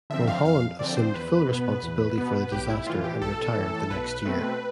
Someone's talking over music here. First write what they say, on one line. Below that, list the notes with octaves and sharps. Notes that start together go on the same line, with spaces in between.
Mulholland assumed full responsibility for the disaster and retired the next year.
D3 F3 C4 E5
F5
F2 F5
D3 F3 C4 D5
C5
E2 B4
B2 B3
E2
B2 B3
B1 G4
E4
A2 E3 F4
G4
B1 A4
A2 E3
B1 B4
B2 A3 C4